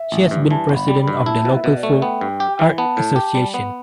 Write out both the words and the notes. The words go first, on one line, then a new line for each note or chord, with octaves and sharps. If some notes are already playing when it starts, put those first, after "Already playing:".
She has been president of the local folk art association.
Already playing: E5
A1
G2
E3 A5
G1
B5
G3
B5
G2
E4 A5
B2
G5
E5
B2
D5
A3
B3 G5
G2
G4
E3
B3 A5
A2
G4
G3
B3